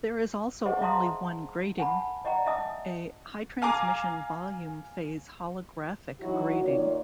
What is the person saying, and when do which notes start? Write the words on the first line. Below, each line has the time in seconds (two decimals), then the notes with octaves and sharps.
There is also only one grating, a high transmission volume phase holographic grating.
0.65 G#4 C5 D#5 F#5
0.82 E5 F5 A5 A#5 C6 D#6
1.78 F#5 G#5 A5 B5
2.24 D5 D#5 F#5 G5 A#5
2.46 D#5 E5 G#5 A5 D#6 E6
3.62 F5 G#5 A#5 D6
6.21 E3 F#3 D#4 E4 F#4
6.62 D#3 A#3 D#4 F4 C#5 D5